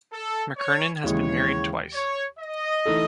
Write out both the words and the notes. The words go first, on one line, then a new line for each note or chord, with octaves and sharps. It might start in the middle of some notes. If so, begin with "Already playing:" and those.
McKernan has been married twice.
A4
C#5
D#2 C#3 E3 G#3 C#5
C#5
D#5
E3 A3 D#4 A4